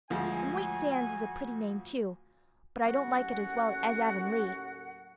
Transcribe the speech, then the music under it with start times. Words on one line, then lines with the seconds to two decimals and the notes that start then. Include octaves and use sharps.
And White Sands is a pretty name, too; but I don't like it as well as Avonlea.
0.10 D2 F3 G#3 F#4 G#5
2.82 D#2 A2 F#3 C#4 F#4 F#5